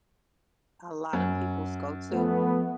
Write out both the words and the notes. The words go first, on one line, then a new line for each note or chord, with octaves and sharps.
a lot of people's go-to.
F#2
F3 A3 B3